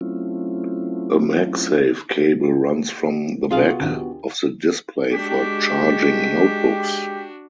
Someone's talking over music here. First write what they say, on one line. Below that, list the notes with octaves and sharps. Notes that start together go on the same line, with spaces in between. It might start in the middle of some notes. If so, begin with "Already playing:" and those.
A MagSafe cable runs from the back of the display for charging notebooks.
F#3 A3 C4 C#4 E4 F4
B1 C3 D#4 F4 G#4 F5
B3 F#4
A#1 D#2 C#3
G4
G#3 D4 F#4 G4 B6